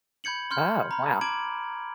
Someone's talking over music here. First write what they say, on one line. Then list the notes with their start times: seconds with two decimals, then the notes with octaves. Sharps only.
Oh, wow.
0.24 B5 G6 G#6 C#7 F#7
0.51 C6 F6 G6
0.91 A#5 B5
1.21 A5 D6 G#6 D7 F#7